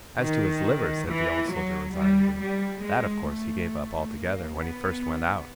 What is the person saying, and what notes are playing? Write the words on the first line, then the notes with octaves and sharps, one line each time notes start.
As to his liver,' said the Old Soldier resignedly, 'that, of course, he gave up altogether, when he first went out!'
D#3
E3
F#3
G3
G3
G#3
A3
A#3
B3